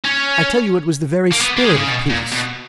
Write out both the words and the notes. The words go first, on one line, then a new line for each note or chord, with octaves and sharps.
I tell you it was the very spirit of peace.
C#4
A#3
B3
A#3
G#3
C#3
B2
A#2
B2